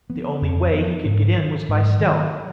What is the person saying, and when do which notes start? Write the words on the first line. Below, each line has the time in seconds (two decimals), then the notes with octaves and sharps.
The only way he could get in was by stealth.
0.09 F3 B3
0.42 F2
0.73 F3 B3
1.05 G#2
1.37 D#3 F#3
1.68 G#2
2.00 D#3 F#3